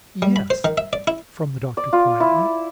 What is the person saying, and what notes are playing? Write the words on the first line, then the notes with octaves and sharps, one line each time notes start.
"Yes," from the doctor, quietly.
G3
B5
C5
D#3
E5
D5
E4
D5
F4
E4